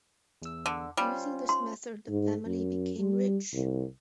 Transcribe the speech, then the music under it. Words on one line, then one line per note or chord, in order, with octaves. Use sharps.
Using this method the family became rich.
E2 E6
D3
G3 C#4 F4 C5
C6
G#2
F#2
G3
C2